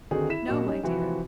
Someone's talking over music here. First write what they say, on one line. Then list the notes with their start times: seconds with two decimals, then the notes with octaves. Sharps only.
"No, my dear."
0.11 D3 D#3 C4 D#4 F#4 G#4
0.30 E4 B6 E7
0.47 A#1 A#3 F#4 D#5
0.65 G3 C#4 D#4
0.83 C3 E3 F3 C4 E4 F#4